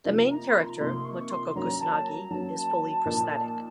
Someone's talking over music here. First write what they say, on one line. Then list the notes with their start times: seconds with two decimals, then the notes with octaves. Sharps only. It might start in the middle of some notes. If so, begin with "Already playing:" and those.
The main character, Motoko Kusanagi, is fully prosthetic.
0.05 C3 F3 A#3 D#4
0.31 A#5
0.49 C6
0.55 A#5
0.76 A#5
0.80 C3 F3 A#3 D#4 C6
1.05 C#6
1.19 C#6
1.30 C6
1.48 C6
1.55 F#3 A#3 C#4 A#5
1.80 A5
2.05 A#5
2.31 F#3 A#3 C#4 A5
3.05 A#2 F3 A#3 D#4 A#4